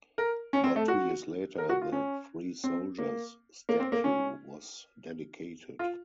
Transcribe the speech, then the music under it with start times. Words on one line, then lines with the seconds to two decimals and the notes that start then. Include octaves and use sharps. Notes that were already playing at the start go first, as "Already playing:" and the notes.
About two years later the Three Soldiers statue was dedicated.
0.18 A#4
0.53 C#4
0.64 C4
0.76 A3
0.88 F#4
1.58 A#4
1.69 F#4
1.81 F4
1.92 C#4
2.64 C4
2.98 A#3
3.69 A#3
3.80 C4
3.92 A#3
4.04 C#4
5.79 F4